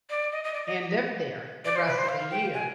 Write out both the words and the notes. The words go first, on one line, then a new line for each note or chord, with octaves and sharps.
and live there the rest of the year.
D5
D#5
D#5
D5
D#5
D5
C5
B4
C5
F5
G5
G#5